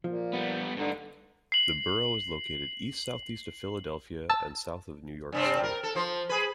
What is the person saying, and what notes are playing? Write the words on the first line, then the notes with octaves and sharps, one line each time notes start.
The borough is located east-southeast of Philadelphia and south of New York City.
A#2 F3
G3 B3
G2 D3 D#4
C7 F#7
A5 E6
G2 C3 C4
A#4
A4
F3 C5
G#4 B4